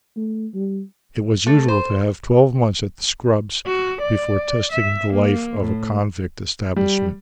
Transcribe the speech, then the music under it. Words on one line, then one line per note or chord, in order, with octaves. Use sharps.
It was usual to have twelve months at the Scrubbs before testing the life of a convict establishment.
A3
G3
A3
C5
F#4
D5
E5
A#3
A2
G3